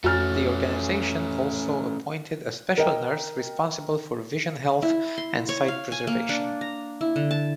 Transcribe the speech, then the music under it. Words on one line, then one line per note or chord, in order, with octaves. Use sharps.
The organization also appointed a special nurse responsible for vision health and sight preservation.
F2 A3 C#4 F#4 G#5 F6 A6
A#4 D#5 G5
E4
C6
C#5
F5
G#5
A#3
D4
A#5
E4
D3
A5